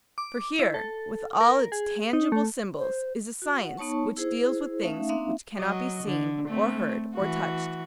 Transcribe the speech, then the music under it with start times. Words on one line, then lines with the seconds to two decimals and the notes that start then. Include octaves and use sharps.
For here, with all its tangible symbols, is a science which deals with things which cannot be seen or heard or touched.
0.18 D6
0.59 E4
0.74 A4
1.41 A#4
1.72 G#4
2.13 D#4
2.32 A3
2.78 C5
3.42 F#4
3.59 F#5
3.77 B3 D#4 C#5 A5 C#6
4.17 E4 G#4 C5
4.83 A3 C#4 D#4 E5 F5
5.09 A#3 C4 D4 D#4 E5 F5
5.57 F#3 F#4 D#5
6.03 D3
6.48 A3 C4
7.14 E3 F#4